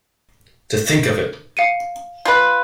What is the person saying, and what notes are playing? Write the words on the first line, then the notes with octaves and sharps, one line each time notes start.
To think of it!
F5 C#7 D#7
F4 B4